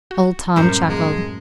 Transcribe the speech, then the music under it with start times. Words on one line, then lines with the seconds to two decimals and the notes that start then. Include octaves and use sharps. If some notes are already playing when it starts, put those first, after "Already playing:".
Old Tom chuckled.
0.11 F#4
0.56 F#2 A2 G3 A#4 C5 C#7
0.89 F3 G#3 A#3